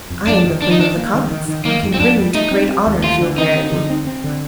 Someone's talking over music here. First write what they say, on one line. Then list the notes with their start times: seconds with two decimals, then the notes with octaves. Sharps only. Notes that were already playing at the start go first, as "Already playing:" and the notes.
I am the Queen of the Comets, and can bring you to great honour if you will marry me.'
0.10 F2
0.27 F2 D4
0.44 D#3
0.62 D#3 D4
0.71 D#4
0.79 D#3 D4
0.96 A#3
1.14 D#3
1.31 D#3
1.48 D#3
1.65 D#3 A#3
1.83 F2
1.94 C4
2.00 F2 D4
2.17 G3
2.34 A3 D#4
2.51 C4
2.69 C4
2.86 D#2
3.03 A3 F4
3.20 D3
3.38 C4 D#4
3.55 C4
3.72 D3
3.90 C4
4.07 C4
4.24 D3